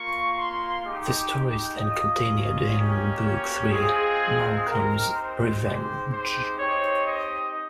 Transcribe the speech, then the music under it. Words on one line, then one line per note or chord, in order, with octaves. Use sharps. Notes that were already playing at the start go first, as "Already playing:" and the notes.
The story is then continued in Book Three: Malcolm's Revenge.
Already playing: A#3 F4 C#6
C6
G#3 D#4 G4
G5
A#3 C#4 F4 D#5
A#3 C#4 G4
C#5
G#3 C4 F4 G#4
C4 D#4 G4 A#4
C5
G#3 C4 D#4 G4 C5
C5
C4 D#4 G4 C#5
D#5